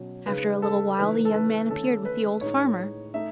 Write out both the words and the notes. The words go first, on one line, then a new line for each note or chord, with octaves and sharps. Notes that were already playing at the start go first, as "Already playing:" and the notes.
After a little while the young man appeared with the old farmer.
Already playing: B2 F#3 C#4
C#3 G#3 D#4 B4
A4
C#3 E3 A3 D#4 B4
A4
B4
D#3 A3 C#4 A4
B4
A2 G#3 D#4 C#5
A3 D#4 E5